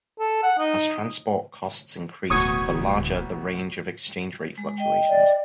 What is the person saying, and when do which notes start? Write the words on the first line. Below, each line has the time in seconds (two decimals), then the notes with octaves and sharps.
As transport costs increase, the larger the range of exchange rate fluctuations.
0.19 A4
0.43 F#5
0.59 D#4
2.30 D1 A1 B2 C#6 D#6 G#6
4.58 G#3
4.78 D#5 G5
5.09 D5